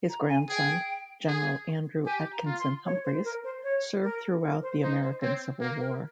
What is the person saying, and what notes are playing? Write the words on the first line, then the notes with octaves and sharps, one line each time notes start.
His grandson, General Andrew Atkinson Humphreys, served throughout the American Civil War.
A#5
G#5
G#4 G5
G#4
G4 G#5
A#5
F4
C6
C#5
C5
A#4
C5
C#5
A#4
A#4
C5
D#4 C5
C5
C4 C#5
A#3 A#4
A#4